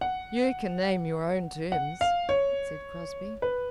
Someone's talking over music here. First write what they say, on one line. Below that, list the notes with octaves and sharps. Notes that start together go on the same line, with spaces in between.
"You can name your own terms," said Crosbie.
F#5
F#5
F5
C#5
B4